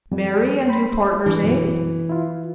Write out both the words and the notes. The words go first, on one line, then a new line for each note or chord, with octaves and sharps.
Mary and you partners--eh?
F2 G3
C5 B5
E3 D4
F#2 B2
E4 F4